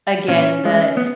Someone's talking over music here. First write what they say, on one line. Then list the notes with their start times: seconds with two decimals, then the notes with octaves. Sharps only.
again, the
0.28 A#2 C#4
0.65 G#3
0.97 B3